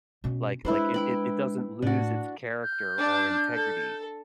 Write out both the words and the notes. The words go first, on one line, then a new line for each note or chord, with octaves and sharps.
Like like, it it it doesn't lose its character or integrity
B2 C#4
G#3 D4 E4 B4 C5
E4 G5 B5
A2 D4 F#4
F6 G6
D4
A4